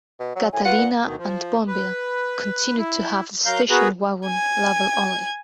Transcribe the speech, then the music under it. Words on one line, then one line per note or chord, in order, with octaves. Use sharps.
Catalina and Bonneville continued to have the station wagon label only.
B2
F#3
A2 G#5
F4 B4 F#5
A#2
D2 B2 D#3
F3
B4
E4
F#3 A#4 F5 G6
B3 F#4 G#4 A#4 B4
G#5 G#6